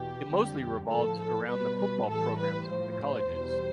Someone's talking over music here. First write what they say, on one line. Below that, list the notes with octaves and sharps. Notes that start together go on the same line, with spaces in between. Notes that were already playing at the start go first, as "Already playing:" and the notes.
It mostly revolves around the football programs of the colleges.
Already playing: E2 B2 G4
F2 D3 G3
A2 F3 A4
A4
B2 G3 B4
B4
A2 E3 G3 A4
B4
A2 F3 C5
E2 B2 G3